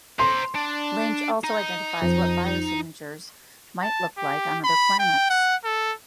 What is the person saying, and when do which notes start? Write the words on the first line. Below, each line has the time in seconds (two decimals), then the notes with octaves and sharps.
Lynch also identifies what biosignatures might look like on other planets.
0.19 C5 A#5 C6
0.55 D4
1.44 D#4
2.02 F2
3.82 A5
4.18 G4
4.64 B5
4.99 G5
5.30 F#5
5.64 A4